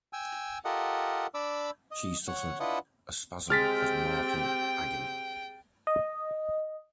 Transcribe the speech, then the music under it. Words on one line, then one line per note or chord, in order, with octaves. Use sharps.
She suffered a spasm of mortal agony.
G5 G#5 E6
F4 G4 A4 A#4 D#5 F#5
D4 D5 B5 D6 E6
D#5
C#5 F#5
D4 E4 F4 B4 D#5 F#5
G#3 C4 G4 G5 F6 A6 B6
D#5